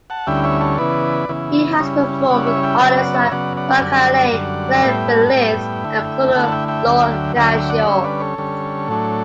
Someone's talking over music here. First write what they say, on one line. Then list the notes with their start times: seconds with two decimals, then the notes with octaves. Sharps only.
He has performed with artists like Rakali, Glen Velez and Claudio Lo Cascio.
0.10 F#5 A5
0.27 D2 D3 G3 C#4 E4 E5 G5
0.44 C#5 E5
0.60 A4 C#5
0.78 C#3 E3 B3 E4 B4 D5
1.29 C#3 E3 B3 E4
1.79 C#3 G3 C#4 E4
2.30 C#3 G3 C#4 E4 D5 F#5
2.47 C#5 E5
2.63 E5 G5
2.80 C#3 F#3 B3 E5 G5
2.97 D5 F#5
3.14 C#5 E5
3.31 C#3 F#3 B3 D5 F#5
3.57 D5 F#5
3.81 F#2 D3 G3
4.32 F#2 D3 G3
4.83 A2 G3 B3 E5 G5
5.08 F#5 A5
5.27 F#5
5.33 A2 G3 B3 E5 G5
5.84 D3 A3 E4
6.35 D3 A3 E4 F#5 A5
6.52 E5 G5
6.68 E5 G5
6.85 D2 D3 F#3
7.36 D2 D3 F#3 E5 G5
7.53 E5 G5
7.70 D5 F#5
7.87 D3 G3 C#4 C#5 E5
8.04 B4 D5
8.20 A4 C#5
8.38 D3 G3 C#4
8.88 A2 F#3 A3 D4